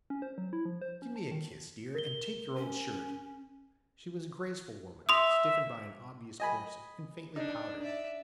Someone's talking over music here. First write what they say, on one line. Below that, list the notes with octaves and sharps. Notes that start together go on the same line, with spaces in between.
Give me a kiss, dear, and take your old shirt.' She was a graceful woman, stiffened by an obvious corset, and faintly powdered.
C#4
C5
F#3
E4
F3
C5
C#4
A5
D#3
A#4 G7
C#4
E5 C6 D#6
D#5 G#5 B5
D4 D#4
D5 E5